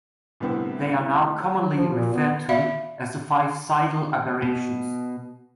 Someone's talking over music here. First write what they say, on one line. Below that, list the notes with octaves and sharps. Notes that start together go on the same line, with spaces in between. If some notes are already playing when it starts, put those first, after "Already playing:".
They are now commonly referred to as the five Seidel Aberrations.
C2 A2 D3 G3 B3 C4
F#3
F3
A#2
B3
D5 E5 F5 B5
B2